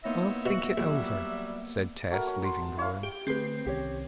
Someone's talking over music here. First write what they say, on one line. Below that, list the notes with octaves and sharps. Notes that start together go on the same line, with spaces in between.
"I'll think it over," said Tess, leaving the room.
A#3 B3 D#4 E4 C#5 E5 A#6
B2 F#4
A#1 F#3 G3
A3 F#4 A#4 B4
C#5
A5 C6
A5
E4 C#5 E5 F5
G4
D3 A3 C4 G#4 B4
C2 D#3 C#4 G4 C#5